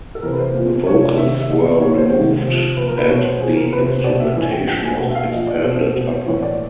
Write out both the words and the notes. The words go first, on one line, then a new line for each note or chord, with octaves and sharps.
The vocals were removed and the instrumentation was expanded upon.
A4
C3 E3 A#4
B4
C5
A#2 F3
C3 F3 C#5
D5
C3 D#3 E5
E5
A#2 F3 D#5
D5
A#2 F3 C#5
C5
C3 D#3 C5
C3 F3
A#2 F3 B4
A#4
B4
B2 C#5
C5
C3 F3 G#4
A#4
C3 F3 B4
C5
B2 D5
E5
A2 E3 G#5
G5
A#2 F3 G5
G#5
B2 F#5
E5
F5
A#2 F3 D#5
D5
B2 C5
B2
A2 E3 C#5
D5